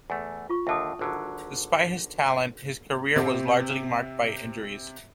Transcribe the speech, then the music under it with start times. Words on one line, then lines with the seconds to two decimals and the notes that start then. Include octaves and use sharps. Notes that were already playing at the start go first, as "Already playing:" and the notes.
Despite his talent, his career was largely marked by injuries.
0.10 E2 A3
0.49 F4 C#6
0.67 D#2 D3 E5 A5 D#6
0.99 G#1 D3 F#3
3.16 C3 C4 G4